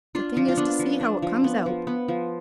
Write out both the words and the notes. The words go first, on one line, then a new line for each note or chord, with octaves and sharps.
The thing is to see how it comes out.
D4 F4
F3
F4
B3 D4
F3
D4
F3
B3
F3
B3
F3